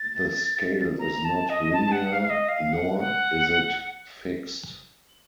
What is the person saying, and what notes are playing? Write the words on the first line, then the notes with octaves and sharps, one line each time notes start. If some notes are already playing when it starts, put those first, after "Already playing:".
The scale is not linear, nor is it fixed.
Already playing: A6
A#5
A5
D#5
A5
F#5
F5
F5
D#5
F5
F#5
F#5